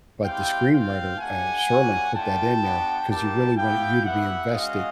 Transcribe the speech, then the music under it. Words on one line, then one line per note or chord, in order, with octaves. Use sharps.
But the screenwriter, uh, Serling, put that in there 'cause he really wanted you to be invested
G#3 C4 E4 G4 F5 G5
C4 F4 F5 G5
A3 D4 G4 F#5 G#5
G3 A#3 C#4 F#4
A3 D4 F4 G5 A5
B3 D4 F#4
G3 A#3 D4 G4 G5 A5
B3 E4 G4 F5 G5
B3 E4 G4 E5 F#5
G#3 C#4 F#4 D#5 F5